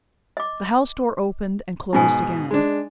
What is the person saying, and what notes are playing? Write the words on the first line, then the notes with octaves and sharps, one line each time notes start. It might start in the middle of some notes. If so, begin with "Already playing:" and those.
The house door opened and closed again.
D#5 D6
G#2 B2 D#4 G#5
G#3 D4